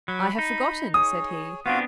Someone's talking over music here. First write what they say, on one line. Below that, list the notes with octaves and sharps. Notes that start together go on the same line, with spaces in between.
"I have forgotten," said he.
F#3 B5
D#4
G#4 C#5 D#6
B3 C4 D4 F4 F#4 F5